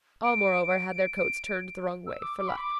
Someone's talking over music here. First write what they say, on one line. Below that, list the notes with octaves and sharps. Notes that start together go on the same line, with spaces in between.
All, moreover, had their coats turned the wrong way, for luck.
D7
D7
E6
D6
D6
B5
D6